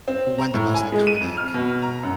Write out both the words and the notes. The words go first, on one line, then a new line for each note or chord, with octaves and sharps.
one of the most iconic,
C4
A#5
A2
G#5
G#3
D#7
F2
F6
B2
A#5
F#2